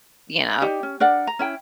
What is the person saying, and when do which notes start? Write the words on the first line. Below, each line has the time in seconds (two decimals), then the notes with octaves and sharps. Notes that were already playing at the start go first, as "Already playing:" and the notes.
you know,
0.62 D#4 G4 D5
0.83 C#4
1.00 D4 A#4 D5 F#5
1.27 A#5
1.39 C#4 E4 G5